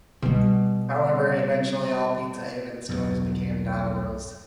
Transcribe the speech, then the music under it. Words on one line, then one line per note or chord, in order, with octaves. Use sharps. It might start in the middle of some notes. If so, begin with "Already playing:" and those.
However, eventually all Pizza Haven stores became Domino's.
B2 G3
B1 E2 G2